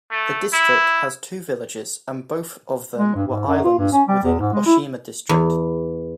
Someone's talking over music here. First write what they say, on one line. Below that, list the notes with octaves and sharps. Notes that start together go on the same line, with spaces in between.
The district has two villages and both of them were islands within Oshima District.
A3
E4
G#3
G2
G#2
F#2
F4
G2
C#4
G3
E2
G#2
G#3
E4
E2